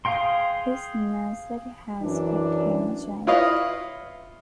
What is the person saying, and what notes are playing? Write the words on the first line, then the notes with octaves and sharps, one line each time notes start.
His nursery has kept him a child.
G#4 F5 G5 C6
F#2 E3 D4
E4 F4 B4 C#5 D#5 F5